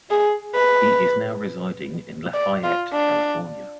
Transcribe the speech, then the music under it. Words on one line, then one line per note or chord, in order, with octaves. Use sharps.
He is now residing in Lafayette, California.
G#4
B4
D5
F4
D4